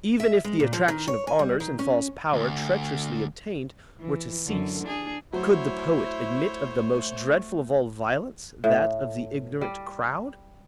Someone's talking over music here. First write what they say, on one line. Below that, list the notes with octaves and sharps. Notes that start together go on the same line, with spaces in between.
Even if the attraction of honors and false power treacherously obtained were to cease, could the poet admit of the most dreadful of all violence, that of the ignorant crowd?
E5
G#3
A#2
F3
D#3
C#5
G#5
G3
D#3
C#4
D2
E3
F#2 D3
D4 G#4
F#3 A3 E4 C5 C#5
A2
G3